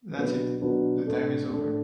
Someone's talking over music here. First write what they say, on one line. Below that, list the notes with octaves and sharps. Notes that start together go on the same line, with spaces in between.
That’s it. The time is over.
B2 F#3 D4 B4
B2 F#3 D4 B4
A2 A3 D4 A4
A2 A3 D4 A4